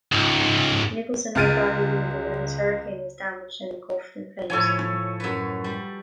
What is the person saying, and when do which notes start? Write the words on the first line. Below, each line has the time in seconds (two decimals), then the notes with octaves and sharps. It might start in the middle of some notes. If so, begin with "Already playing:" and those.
Nicolson was badly wounded, and his Hurricane was damaged and engulfed in flames.
0.12 C#2 G#2
1.35 C#2 G#3 F6 A6 D7 D#7
4.50 A2 F3 A4 C#5 G#5
5.20 F#2 B4
5.64 G3